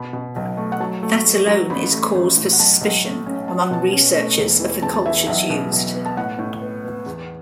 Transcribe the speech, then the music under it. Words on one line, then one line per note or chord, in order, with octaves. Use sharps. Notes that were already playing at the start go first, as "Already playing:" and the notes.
That alone is cause for suspicion among researchers of the cultures used.
Already playing: B2 B5
B2
B1
A3
F#5
F#3 A5
A3
A3
F#3
A1 B5
A3
A1
A2
F#5
B1 A5
B1
A3
C#4
C#4 A5
F#5
B2 A5
C#4
A3
E1
E3
E1 A5
A5
E3 E5
B1 E5
B2
B1
B3
A5
A2 F#5
A2
B3
B3
E2